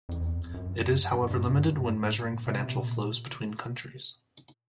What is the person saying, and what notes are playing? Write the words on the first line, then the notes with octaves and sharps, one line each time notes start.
It is however limited when measuring financial flows between countries.
F2
E2
F2
F#2
G2
G2
G2
G#2
A2
G#2
A#2
C3
A#2